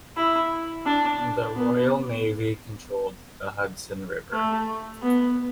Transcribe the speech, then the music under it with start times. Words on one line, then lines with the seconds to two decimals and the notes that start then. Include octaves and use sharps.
The Royal Navy controlled the Hudson River.
0.17 E4
0.86 D4
1.56 B3
4.33 A3
5.02 B3